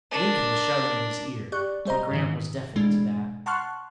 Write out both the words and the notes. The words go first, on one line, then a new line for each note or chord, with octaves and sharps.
Lincoln was shouting in his ear, but Graham was deafened to that.
D4 A#4
G4 D5 C#6 F#6
G3 G4 C5 D#5 A#5
G#2 D#3 E3
B2 E3 G#3 A3 D4
F#5 A5 C6 C#6 F6 F#6